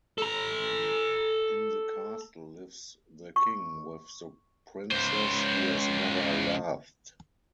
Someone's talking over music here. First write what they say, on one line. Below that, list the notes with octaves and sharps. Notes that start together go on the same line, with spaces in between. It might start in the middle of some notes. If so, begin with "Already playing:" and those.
In the castle lives the King with the Princess who has never laughed.
A4 A#5
C#6
C#2 C5